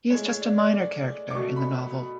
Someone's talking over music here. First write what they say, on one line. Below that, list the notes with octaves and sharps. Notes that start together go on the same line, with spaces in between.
He is just a minor character in the novel.
A2 G#3 C#5
C#5
D5
D5
D5
D6
B2 F#3 A3 C#6
B5